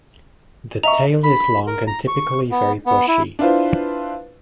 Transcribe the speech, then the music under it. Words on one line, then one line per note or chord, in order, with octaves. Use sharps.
The tail is long and typically very bushy.
D#5 E5 A#5 C#6
B5
A#4
A#5
C#6
B3
B3
E4
D4 E4 F4 B4 C5